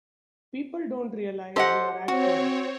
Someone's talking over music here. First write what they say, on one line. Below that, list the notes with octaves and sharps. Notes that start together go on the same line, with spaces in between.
People don't realize you're acting.
G4 A4 C5 D#5 F#5
C4 F#4 C#5